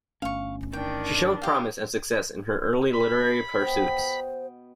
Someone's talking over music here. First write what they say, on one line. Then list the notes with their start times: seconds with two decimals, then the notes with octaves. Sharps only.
She showed promise and success in her early literary pursuits.
0.22 G1 A3 C#4 F5 C#6
0.73 D#3 D4 G5
1.42 G4 F5
2.93 B5
3.60 B2 C5 D#5 G5